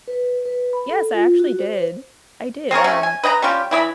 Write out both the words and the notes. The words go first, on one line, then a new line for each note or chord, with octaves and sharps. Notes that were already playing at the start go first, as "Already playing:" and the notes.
Yes, I actually did. I did, um,
B4
B4
B5
A4
F4
F#4
C5
C4 G#4 A#4 C#5
C3 A3 C#4
G#5
B4 D#5 G5 A#5
G3 C#4 F4 G4
E3 E4 D#5 B5